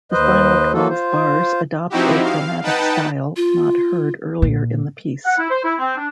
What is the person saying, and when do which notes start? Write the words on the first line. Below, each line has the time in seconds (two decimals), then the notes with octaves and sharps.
The final twelve bars adopt a chromatic style not heard earlier in the piece.
0.12 D#2 B4 C5 D#5
0.73 F3 F#3 A#3 F4 F#4 A4
0.89 F4 C5
1.90 F3 C4 D#4 E4 F#4 G4
2.23 F5
2.63 D#4 B4 F#5 G5 A5
3.36 F4
4.42 A#2
5.25 F#5
5.38 E4
5.50 C5
5.64 E4
5.78 C4
5.96 D4